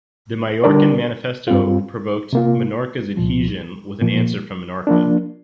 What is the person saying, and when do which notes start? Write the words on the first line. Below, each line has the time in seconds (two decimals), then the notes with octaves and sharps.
The Mallorcan manifesto provoked Menorca’s adhesion with an answer from Menorca.
0.64 D3 G3 D4 A#4 D5
1.48 G2 G3 C4 F4
2.33 C3 A#3 F4
3.17 C2 A#2 F3
4.01 A#2 F3 A#3
4.87 F3 A#3 D4